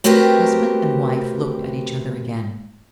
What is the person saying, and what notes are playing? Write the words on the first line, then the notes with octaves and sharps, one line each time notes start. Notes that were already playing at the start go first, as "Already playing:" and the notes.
Husband and wife looked at each other again.
A3 C4 F#4 G4 A#4 B4